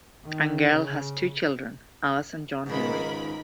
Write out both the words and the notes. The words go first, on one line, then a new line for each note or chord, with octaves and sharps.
Angell has two children, Alice and John Henry.
D#3
C#3
C#2 G#2 D#3 A#4 B5